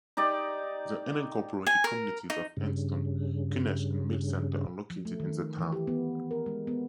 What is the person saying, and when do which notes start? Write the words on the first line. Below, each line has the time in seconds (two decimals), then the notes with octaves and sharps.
The unincorporated communities of Anston, Kunesh, and Mill Center are located in the town.
0.17 D#4 G4 D5
1.67 G#5
1.84 A#4
2.30 D#4
2.57 G2 C#3
4.90 F3
5.05 A3
5.20 D#3
5.58 E3
5.72 G4
5.87 B3
6.31 A#4
6.46 G#3
6.67 B3